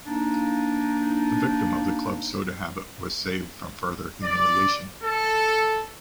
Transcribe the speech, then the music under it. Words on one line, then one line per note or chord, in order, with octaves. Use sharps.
The victim of the club soda habit was saved from further humiliation.
A#3 D4 D#4
D5
A4